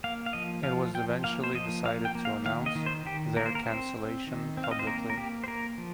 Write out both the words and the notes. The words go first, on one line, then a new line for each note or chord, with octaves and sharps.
It was eventually decided to announce their cancellation publicly.
A#3 F5
F5
F3 D#5
F3 F5
F3 G5
A#3 F5
C5
F3 D#5
A#3 F5
G5
A#3
F5
D#3 F5
D#5
D#3
C5
D#3 G4
A#3 A#4
C5
A#4
C4 C5
C4
D#3
C4
F5
D#5
C5
A#3 A#4
A#4
A#3 G4
C5
A#3 A#4
F3